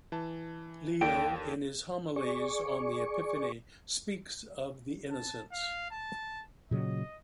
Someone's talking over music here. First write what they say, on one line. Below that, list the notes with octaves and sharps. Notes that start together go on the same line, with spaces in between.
Leo in his homilies on the Epiphany speaks of the Innocents.
E3 A5
D#2 A4 D5 G5
G#4 D5 C#6
A5
F5
A5
A#2 C#3 F#3 D#5